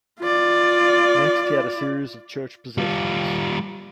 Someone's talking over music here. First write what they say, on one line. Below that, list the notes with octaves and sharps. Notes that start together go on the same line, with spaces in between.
Next he had a series of church positions.
F4 D5
G3 F4